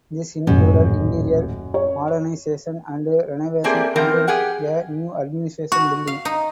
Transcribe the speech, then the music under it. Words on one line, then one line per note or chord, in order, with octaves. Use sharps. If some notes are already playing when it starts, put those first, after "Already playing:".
This included interior modernisation and renovation and a new administration building.
D#1 A1 F#2
C#5
A3 A#3 C4 G4 G#4 D5
E2 F3 C4 A#4 G5
G4 G#4 F#5 G5
F#4 C#6
F5
D#4